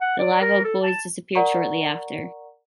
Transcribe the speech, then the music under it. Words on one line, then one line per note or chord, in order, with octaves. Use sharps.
The Live Oak Boys disappeared shortly after.
F#5
D5
A#4
A4
A5
A#4 D5 F#5 A#5 C#6